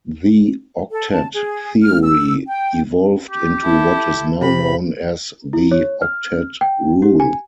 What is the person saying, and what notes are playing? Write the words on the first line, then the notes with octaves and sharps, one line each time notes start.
The "octet theory" evolved into what is now known as the "octet rule".
A4
A5
G#4
F6
E6
G5
G4
E4 A4
C3 B5
E4
C#5
F6
G5
G4
G#5